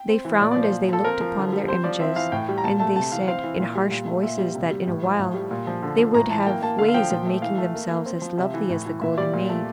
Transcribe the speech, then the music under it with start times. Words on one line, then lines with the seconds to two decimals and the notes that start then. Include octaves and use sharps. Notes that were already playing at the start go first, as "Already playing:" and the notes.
They frowned as they looked upon their images, and they said in harsh voices that in a while they would have ways of making themselves as lovely as the Golden Maid.
Already playing: G5
0.09 C4
0.25 E3
0.41 A#2 D5
0.51 D5
0.56 F3
0.62 C5
0.72 A#2
0.89 F3 A4
1.04 C4 A#4
1.21 F3
1.36 D3
1.52 G3
1.68 C4 C5
1.84 F3 D5
2.00 C4 E5
2.16 E3 F5
2.32 A2 G5
2.48 G3
2.58 A#5
2.64 A#2 A5
2.80 A3 A5
2.96 C3 A5
3.12 E3 F5
3.28 C4 F5
3.44 E3
3.60 A#2
3.75 G3
3.91 A#2
4.07 A3
4.23 A#2 E5
4.39 G3
4.55 C3
4.71 G3
4.88 A2
5.03 F3
5.19 A2
5.34 G3
5.51 A#2
5.67 F3
5.83 D3
5.99 F3
6.14 A2 A#5
6.30 E3 A5
6.46 A#3 G5
6.62 A#3 A5
6.78 D3 F5
6.88 F5
6.94 F3 G5
7.11 A#2
7.27 A3
7.42 E3 F5
7.58 A3
7.74 A#3
7.90 A#3
8.06 C4
8.22 F3
8.38 C3 E5
8.54 E3
8.70 A2
8.86 E3
9.01 A#2 E5
9.18 G3 D5
9.34 A#2
9.49 A3